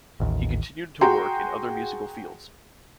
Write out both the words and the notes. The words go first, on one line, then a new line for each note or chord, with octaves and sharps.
He continued to work in other musical fields.
A1 D#2
F#4 G#4 G5 A#5 C6